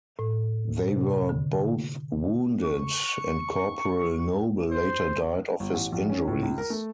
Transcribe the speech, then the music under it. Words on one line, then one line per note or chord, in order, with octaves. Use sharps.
They were both wounded, and Corporal Noble later died of his injuries.
A2
C3
D3
C#6
C5
G1
A1
A#1
C#4
A2
C#2
A#4
A3